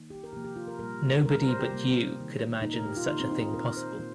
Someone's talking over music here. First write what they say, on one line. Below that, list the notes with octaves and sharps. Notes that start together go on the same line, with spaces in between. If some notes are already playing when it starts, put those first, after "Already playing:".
Nobody but you could imagine such a thing possible.
Already playing: D#3 A#3
G4
A#4
C3 F3 A#3 G4
G4
F4
A#4
A#2 G3 A#3 A#4
C3 G3 A#3 A#4
A#4
C5
G4
C3 G3 A#3
D#3 A#3
A#2 D#4
A#3
A#4
G4
F4
D#3 A#3 D#4
C4
D#4
F4
A#2 A#3 A#4
C5
A#2